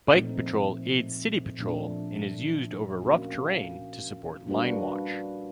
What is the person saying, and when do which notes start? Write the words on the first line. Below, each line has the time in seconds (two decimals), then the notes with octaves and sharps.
Bike patrol aids city patrol and is used over rough terrain to support linewatch.
0.14 A#2 F3 A3 C4 D#4
1.58 A#2 F3 A3 D4
3.02 A#3 C#4 F#4
4.47 G3 A#3 D4 F#4 B4